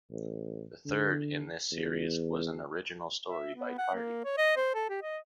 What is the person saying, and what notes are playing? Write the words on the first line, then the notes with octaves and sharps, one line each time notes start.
The third in this series was an original story by Tardi.
A1
D3
E2
E5
B3
F#5
A#3
C#5
D#5
C5
A4
G4
D#5